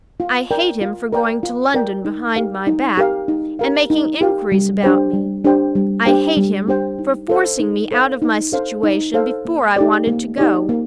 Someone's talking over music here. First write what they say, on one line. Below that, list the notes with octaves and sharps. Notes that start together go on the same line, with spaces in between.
I hate him for going to London behind my back, and making inquiries about me. I hate him for forcing me out of my situation before I wanted to go.
F4
A#4 D5 G5
F4
A#4 D5 G5
F4
A#4 D5 G5
D#4
G4 A#4 F5
D#4
G4 A#4 F5
D#4
G4 A#4 F5
D#4
G4 A#4 F5
G3
D4 G4 C5 G5
G3
D4 G4 C5 G5
G3
D4 G4 C5 G5
G3
D4 G4 C5 G5
D#4
A4 C5 F5
D#4
A4 C5 F5
D#4
A4 C5 F5
D#4
A4 C5 F5
A#3
D#4 G4 D5
A#3
D#4 G4 D5
A#3